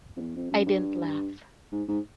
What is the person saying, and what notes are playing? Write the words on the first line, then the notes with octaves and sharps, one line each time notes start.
I didn’t laugh.
F2
E2
F2
F#2
G2
G#2
G#2